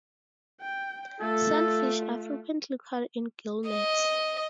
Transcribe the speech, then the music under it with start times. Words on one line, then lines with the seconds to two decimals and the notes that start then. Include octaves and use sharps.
Sunfish are frequently caught in gillnets.
0.61 G5
1.20 A3 F4 A4
3.69 D#5